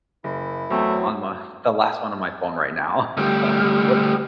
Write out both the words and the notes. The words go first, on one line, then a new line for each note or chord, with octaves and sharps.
on my the last one on my phone right now, um, what
F#1 E4
E2 F#3 A3 C4
D2 G3